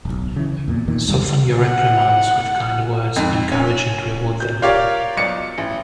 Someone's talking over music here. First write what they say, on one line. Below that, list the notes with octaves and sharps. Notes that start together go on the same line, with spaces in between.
Soften your reprimands with kind words; encourage and reward them.
D1 B1
C#3 E3
E2 A#2
E2 A#2 D#3
C#2 G2 D#3 G3
F#5
F2 G#2
C#4
G6
F4 G4 A#4 C#5 D5 F5
B1 D5 C#7
A1